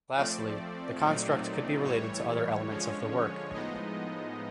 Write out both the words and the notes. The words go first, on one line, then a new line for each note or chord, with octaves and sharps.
Lastly, the construct could be related to other elements of the work.
F3 A3 C4 D5
A#2 F#3 A3 C4 D#4
A2 E3 G3 C#5
D3 F3 G#3 C#4
A2 F3 G#3 B3 D#4 D#5